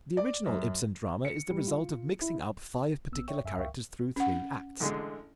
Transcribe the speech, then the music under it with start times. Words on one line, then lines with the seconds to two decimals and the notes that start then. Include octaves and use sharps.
The original Ibsen drama is the result of mixing up five particular characters through three acts.
0.17 D5
0.46 F#2
1.25 C#7
1.50 G3
1.67 F4
2.21 E4
3.12 A1 B3 E6
3.28 C#5 D5 E5 G5 C#6
3.45 F#2 E5 G#5 E6
3.57 C#2 A#4 E5 F5 G5 C#6
4.16 C#4 F#5
4.80 A1 D3 G#3